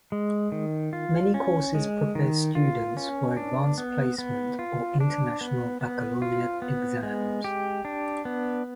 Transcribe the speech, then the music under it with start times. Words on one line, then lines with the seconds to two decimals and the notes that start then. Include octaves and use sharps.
Many courses prepare students for Advanced Placement or International Baccalaureate Exams.
0.12 G#3
0.52 D#3
0.93 F4
1.34 C#4
1.75 G#3
2.15 D#3
2.55 F4
2.97 C#4
3.37 D4
3.78 B3
4.18 B3
4.59 F4
5.00 D4
5.41 B3
5.81 B3
6.22 F4
6.62 B3
7.03 G#3
7.44 G4
7.85 D4
8.25 B3